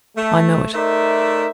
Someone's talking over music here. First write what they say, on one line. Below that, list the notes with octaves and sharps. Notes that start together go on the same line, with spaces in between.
I know it.
A3
A3 D#4 A#4 C5 D5 E5